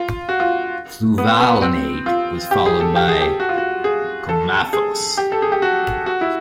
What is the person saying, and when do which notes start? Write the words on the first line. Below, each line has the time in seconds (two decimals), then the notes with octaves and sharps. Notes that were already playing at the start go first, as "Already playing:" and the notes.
Fluvalinate was followed by coumaphos.
Already playing: F4
0.29 F#4
0.40 F4
1.18 B3
1.40 B3
1.62 C4
2.06 F4
2.51 G4
2.66 G#4
2.81 A4
2.96 G4
3.08 G#4
3.21 G4
3.40 F#4
3.49 F4
3.58 F#4
3.84 G#4
4.29 A4
4.73 G#4
5.17 G4
5.32 A4
5.42 G#4
5.52 G4
5.62 F#4
6.06 F#4
6.21 E4